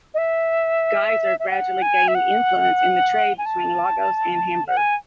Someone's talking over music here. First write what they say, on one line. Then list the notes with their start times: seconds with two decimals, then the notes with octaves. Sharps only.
Gaiser gradually gained influence in the trade between Lagos and Hamburg.
0.14 D#5
0.18 E5
1.40 E5
1.49 F#5
1.82 G#5
2.08 E5
2.15 F#5
3.38 G#5
3.46 A5
4.68 F#5
4.77 G#5